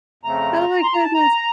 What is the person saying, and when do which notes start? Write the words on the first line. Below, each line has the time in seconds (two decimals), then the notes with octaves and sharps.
Oh my goodness.
0.23 F2 C#3 A3 C4 A#5
0.83 C6
0.93 A#5
1.03 A5
1.14 A#5